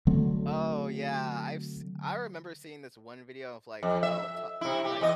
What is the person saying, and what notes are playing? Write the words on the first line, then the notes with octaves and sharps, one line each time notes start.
Oh, yeah, I've s I remember seeing this one video of, like, how ta like,
D3 F#3 A3 C4
F2
E5
C3 E4
G4
E2 D#5